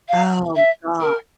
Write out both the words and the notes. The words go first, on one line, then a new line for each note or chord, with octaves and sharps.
Oh god.
F5
E5
A#4